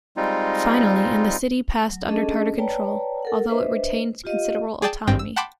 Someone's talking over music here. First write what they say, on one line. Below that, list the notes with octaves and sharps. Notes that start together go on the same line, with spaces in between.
Finally, in the city passed under Tatar control, although it retained considerable autonomy.
G3 G#3 C4 D#4 F4
F#3
C#4 D4 G#4 A4 D#5 A5
B4 C#5 D5 G5 A5 A#5
A4 A#4 F#5
D4 B4 C5 D#5 E5
F4 G4 D#5 F5
G#4 D5 G5 A5
G#1 G2 C4 G5 A6 A#6
E6
F#5 G5 A5 B5 C6 D6